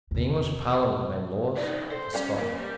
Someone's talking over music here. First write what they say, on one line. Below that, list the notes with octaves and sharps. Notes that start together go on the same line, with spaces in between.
The English Parliament made laws for Scotland.
E2 C3
E3 D#4 D5
A4 C5
G3 C#4 F#4 A#5
C#3 A#3 A#4
G3